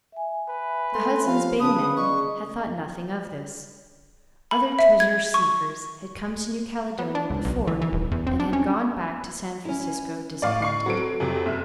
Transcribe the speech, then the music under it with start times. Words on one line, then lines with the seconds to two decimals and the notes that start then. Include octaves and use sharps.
The Hudson's Bay men had thought nothing of this. Other treasure-seekers had come to New Caledonia before and had gone back to San Francisco disappointed.
0.12 E5 G#5
0.49 B4
0.94 A3 C6
1.26 F3 G4 C#5 F5
1.60 C#3 C4 B4 A5 B5 D#6
1.97 G#4 D5 D#5 C#6
4.51 B5
4.79 E5
5.00 G#6
5.34 C#6
6.99 B3
7.15 D4
7.30 C#2
7.45 B1
7.67 E3
7.82 E3
7.93 D#1
8.11 E2
8.27 C4
8.40 D4
8.53 C#4
9.65 C#4 E4
10.42 A2 D5 D#5 F5 C#6
10.62 C#6 C7
10.86 F#3 C4 A4 B4 F#5 D7
11.20 F2 C3 F#3
11.46 F#1 E5